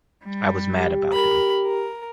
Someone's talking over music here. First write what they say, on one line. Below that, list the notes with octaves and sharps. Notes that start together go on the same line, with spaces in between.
I was mad about him.
G3
G4
A#4 B5
A#4